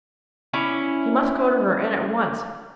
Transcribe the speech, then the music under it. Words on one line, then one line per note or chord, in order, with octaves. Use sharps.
He must go to her, and at once.
C#4 E4 D5